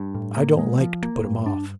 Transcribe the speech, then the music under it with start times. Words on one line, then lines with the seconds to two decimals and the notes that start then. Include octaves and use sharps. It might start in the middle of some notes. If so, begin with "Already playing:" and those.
I don't like to put him off.'
Already playing: G2
0.15 A2
0.36 A#3
0.59 G#3
0.80 F3
1.03 A#3
1.24 G2
1.46 D4